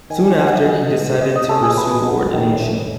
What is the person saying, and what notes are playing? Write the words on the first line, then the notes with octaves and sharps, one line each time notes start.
Soon after, he decided to pursue ordination.
D#3 G#5
G#5
A3 C#4 G#5
F#5
E5
B2 D#5
G#3 B3
B2 D#5
D#5
A3 C#4 A4
G#4
E3 B4
G#3 B3
D#3
A3 C#4